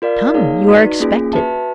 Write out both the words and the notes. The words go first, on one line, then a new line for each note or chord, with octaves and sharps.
"Come, you are expected!"
F4 A#4 D5 F5
A#3 D#4 G#4 C#5 F5
D#4 F#4 B4 D5
A#3 C#4 F4 G#4
F#4 B4 E5 A5